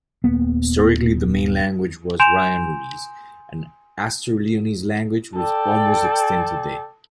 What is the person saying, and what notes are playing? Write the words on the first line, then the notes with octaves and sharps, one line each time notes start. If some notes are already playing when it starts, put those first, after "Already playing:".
Historically the main language was Rionorese, an Astur-Leonese language, which almost extinct today.
D#1 A#3 B3
G#5 C6 G6 D7 E7 F7
A4 D5 G5